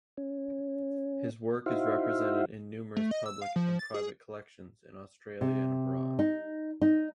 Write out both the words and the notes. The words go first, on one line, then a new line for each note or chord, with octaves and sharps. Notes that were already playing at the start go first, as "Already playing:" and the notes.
His work is represented in numerous public and private collections in Australia and abroad.
C#4
D#4 E4 F#4 C5 E5 F5
A3
D#5
E6
F5
F3
A6
G#4
C3
D#4
D#4